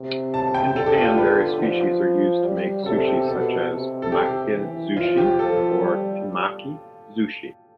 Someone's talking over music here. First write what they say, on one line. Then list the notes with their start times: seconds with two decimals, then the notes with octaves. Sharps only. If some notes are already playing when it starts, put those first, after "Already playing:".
In Japan, various species are used to make sushi such as "maki-zushi" or "temaki-zushi".
Already playing: C3
0.34 A5
0.54 G5
0.76 D3 A4
0.86 G4
0.98 F4
1.08 G4
1.18 B4
1.60 F3
2.44 G3
2.86 C3 A4
3.07 G4
3.28 B2 A4
3.70 C3
4.02 A4
4.12 G4
4.54 E3
4.96 F3 F4
5.18 G4
5.39 F3 A4
5.81 G3